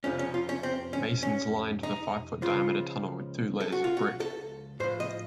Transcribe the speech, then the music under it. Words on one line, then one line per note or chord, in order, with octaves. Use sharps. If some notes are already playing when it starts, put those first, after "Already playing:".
Masons lined the five-foot-diameter tunnel with two layers of brick.
F2 C3 F3 C#4
C#4
F4
C#4
C4
C#4
C#4
D#4
C#2 C#3 F3 F4
A4
F#4
F4
F#4
A4
A2 F3 C5
D#5